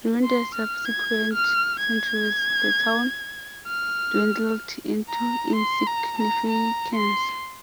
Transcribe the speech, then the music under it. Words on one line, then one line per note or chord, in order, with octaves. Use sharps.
During the subsequent centuries, the town dwindled into insignificance.
C6
F6
G#6
F6
G#6
F6
A#5
C6
A#5
A#5
A#5
C6